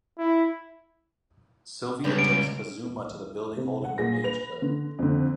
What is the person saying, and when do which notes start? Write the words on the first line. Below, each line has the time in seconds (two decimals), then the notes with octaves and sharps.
Sylvia takes Kazuma to the building holding the Mage Killer.
0.19 E4
2.04 C#2 C#3 G3 B3
2.19 D7
3.57 C3
3.84 F#5
3.98 A#2 G#4 A#6
4.24 B4 F7
4.62 D3
4.99 F2 D3